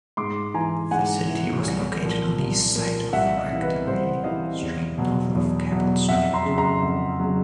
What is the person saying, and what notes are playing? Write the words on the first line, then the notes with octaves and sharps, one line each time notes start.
The facility was located on east side of Rectory Street north of Cabell Street.
G#2 C6 D6
E3 G#5 A#5
G#2 F#5 G#5
E3
C2
A#2 F3
C2
A#2 F3
C2 E5 F#5
D#5 F5
C3 E3
B4
C2 C5
C3 E3 D#5 F5
E2
B2 F#3
E2
B2 F#3
F2 E5 F#5
A#5 C6
C#3 F#3
A#5 C6
F2
C#3 F#3